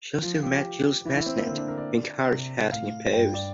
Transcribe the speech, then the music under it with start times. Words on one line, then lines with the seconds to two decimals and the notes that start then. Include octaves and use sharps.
She also met Jules Massenet, who encouraged her to compose.
0.22 F3 F4
0.33 F4
0.43 G4
0.54 G4
1.05 E3 E4
1.16 E4
1.26 C4
1.37 A#3
1.47 D3 C4
1.58 D4
1.68 A#4
1.78 D5
2.31 C3
2.72 A2 F5
3.13 G2 G5
3.34 D5